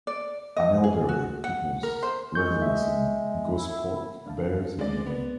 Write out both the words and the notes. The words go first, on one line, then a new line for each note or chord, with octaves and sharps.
An elderly people's residence in Gosport bears his name.
D5
D#5
G#4
F#4
F#5
A#4
C5
G#3 C#6 G6
E5
E4
D4 F5 A5
D3 G#3 C4 C#4 D5
B3